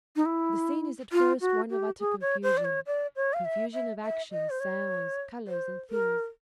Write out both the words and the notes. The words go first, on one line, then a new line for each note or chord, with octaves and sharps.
The scene is at first one of utter confusion--confusion of action, sounds, colors, and things.
D#4
E4
F4
F#4
G4
G#4
C#5
C5
D5
C#5
D5
C#5
F5
E5
E5
E5
D#5
C5
C#5
C5
A#4